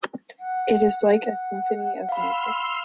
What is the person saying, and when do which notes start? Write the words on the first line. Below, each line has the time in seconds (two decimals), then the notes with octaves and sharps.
It is like a symphony of music.
0.39 F#5
0.97 F#5
2.09 F5 B5 C6 E6 F6